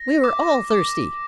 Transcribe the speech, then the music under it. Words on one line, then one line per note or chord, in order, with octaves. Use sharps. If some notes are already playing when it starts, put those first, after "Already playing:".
"We were all thirsty."
Already playing: A#6
D6
D6